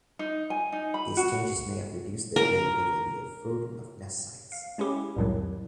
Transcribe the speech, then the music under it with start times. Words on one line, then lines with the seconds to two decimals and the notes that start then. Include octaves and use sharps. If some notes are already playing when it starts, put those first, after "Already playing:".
These changes may have reduced the availability of food and of nest sites.
0.19 D#4
0.50 G#5
0.72 D#4
0.94 B5
1.17 F#4
2.36 A#4
4.52 F5
4.78 G#3 C#4 E4 G4
5.16 C2 F2 A2 D#3 F#3